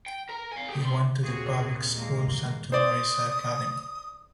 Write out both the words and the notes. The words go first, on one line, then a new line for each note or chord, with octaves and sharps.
He went to the public schools and to Marissa Academy.
G5
A#4 A#5
F5 G#5
G4 G#4
G3 C6
D#2 A#2 C4 F#4 G#4
G#3 A#3
G2 D#3
C5 D5 D#6